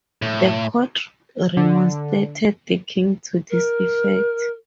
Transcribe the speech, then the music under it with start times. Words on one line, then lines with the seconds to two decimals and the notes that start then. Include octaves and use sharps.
The court remonstrated the King to this effect.
0.22 A2
1.57 D3
3.50 A#4